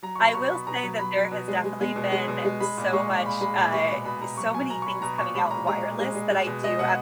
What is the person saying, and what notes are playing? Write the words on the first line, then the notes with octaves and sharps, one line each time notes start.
I will say that there has definitely been so much, uh so many things coming out wireless that I do
F#3 A#5
C#6
B2 B5
B2 C#6
B2 B5
B2 A#5
F#3
F#3 B5
F#3
B2
G#3
G#3
G#3
B2
G#3
B2
G#3
G#3 B5
A#2
G#3 C#6
A#2
A#2 B5
G#3 B5
A#2 B5
G#3 C#6
B2 B5
B2 B5
B2 A#5
F#3 C#6
F#3 G#5
B2 A#5
C#6
F#3 B5
B2 A#5
A#2 C#6
G#3 B5
A#2 A#5
G#3 A#5
A#2
G#3
G#3
G#3
B2
G#3 D#5
B2 F#5